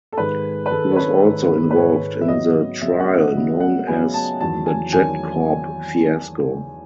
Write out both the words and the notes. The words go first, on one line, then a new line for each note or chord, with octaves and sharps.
He was also involved in the trial known as the JetCorp fiasco.
A4
G#2 D#3 G#3 B4
B4
G#2 D#3 G#3 A4
C#5
B4
G#2 D#3 G#3
B4
G#2 D#3 G#3 C#5
E5
C#3 F#3 B3 D#5
C#3 F#3 B3 E5
F#5
F#5
C#3 F#3 B3
F#5
C#3 F#3 B3 G#5
A5
E2 D#3 F#3 A5
G#5
E2 D#3 F#3 G#5